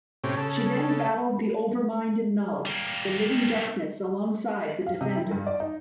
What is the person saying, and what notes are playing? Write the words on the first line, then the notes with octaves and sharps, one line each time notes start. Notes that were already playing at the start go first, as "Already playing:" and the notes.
She then battled the Overmind and Null, the Living Darkness alongside the Defenders.
A2 C3 C#4 G4
C#3 A4
G3 A#3
F5
C3
E4
G2
D5
D#4